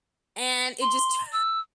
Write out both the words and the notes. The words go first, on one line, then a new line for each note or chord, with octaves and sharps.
and it just turned
C6
E6